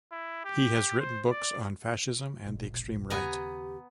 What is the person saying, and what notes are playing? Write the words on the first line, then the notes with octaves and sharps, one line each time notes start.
He has written books on fascism and the extreme right.
E4
G4
C5
D5
E1 A#1
D#2 C#3 B3 G4 G#5 A#5